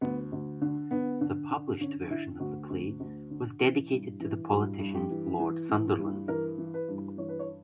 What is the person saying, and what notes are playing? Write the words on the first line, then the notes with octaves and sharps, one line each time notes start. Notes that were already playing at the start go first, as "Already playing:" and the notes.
The published version of the play was dedicated to the politician Lord Sunderland.
D2 B3
D2
D3
D3 B3
D3
D3
D3 C#4
D3 E4
D2 F#4
D2
D2
D3
E3
G2
E3
G2 F#4
G2
G4
E3
E3
E3
G2
E3 A#4
E3
B4
G2
E3 C#5
B4
C#5